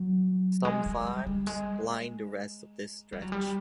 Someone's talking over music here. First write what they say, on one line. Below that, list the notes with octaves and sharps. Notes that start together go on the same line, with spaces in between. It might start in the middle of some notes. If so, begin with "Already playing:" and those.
Some farms line the rest of this stretch.
Already playing: F#3
G#3
G#3
G3
G3
G#3
G3
F#3
G3